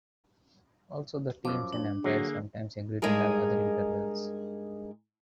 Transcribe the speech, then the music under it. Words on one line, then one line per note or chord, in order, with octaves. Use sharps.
Also, the teams and umpires sometimes agree to have other intervals.
F#2 F3 D6
D4
D3 F#3 A#3 G#4
G2 G#3 D#4 G#4 A#4